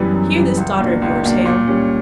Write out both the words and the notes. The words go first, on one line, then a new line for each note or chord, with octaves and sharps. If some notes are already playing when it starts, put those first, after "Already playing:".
'Hear this daughter of yours, Hale.
Already playing: F#2 E3 G3 B3
F#2
E3 G3 B3
C#2
B2 A#3 D4
C#2
B2 A#3 D4
A#2
G3 C#4